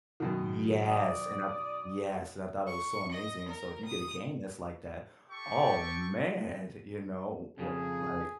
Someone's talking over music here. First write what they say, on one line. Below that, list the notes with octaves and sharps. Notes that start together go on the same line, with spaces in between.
Yes, and I th yes, and I thought it was so amazing, and so, if you get a game that's like that, oh, man! Th you know, w what, like
F#2 B2 D#3
D5 D#6
C#6
D#5
A#4
D#6
G4 A4 C#6
F2 C#3 G#4